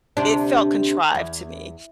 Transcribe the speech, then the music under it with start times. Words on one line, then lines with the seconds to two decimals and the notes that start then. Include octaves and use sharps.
it felt contrived to me.
0.17 D2 C3 D4
1.15 E2